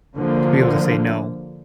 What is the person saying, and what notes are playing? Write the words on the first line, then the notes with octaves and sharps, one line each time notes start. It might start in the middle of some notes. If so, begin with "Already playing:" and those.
to be able to say no,
D3 F3 A#3